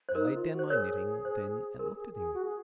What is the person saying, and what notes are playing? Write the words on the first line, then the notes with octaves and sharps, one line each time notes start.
I laid down my knitting then and looked at him.
C5
D#4 A#4
F4
F#4
C5
G#4 A#4 C#5
C5
G#4 A#4
G#4
G#4
F#4
G#4